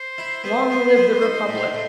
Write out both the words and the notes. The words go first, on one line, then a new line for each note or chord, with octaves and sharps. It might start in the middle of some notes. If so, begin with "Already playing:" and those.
Long live the Republic!
Already playing: C5
E4
B3 C5
B3
B3
D#4
A2
A2